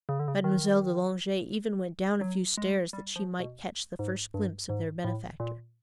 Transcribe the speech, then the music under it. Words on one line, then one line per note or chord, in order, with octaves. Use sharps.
Mademoiselle de Langeais even went down a few stairs that she might catch the first glimpse of their benefactor.
C#3
D3
C#3
D#3
F#3
G#3
G3
F3
B2
G#2
G2
G#2
A2
A#2